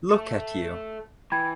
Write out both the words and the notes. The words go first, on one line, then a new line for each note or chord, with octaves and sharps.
Look at you.
A4 E5
E3 G5 B5 G#6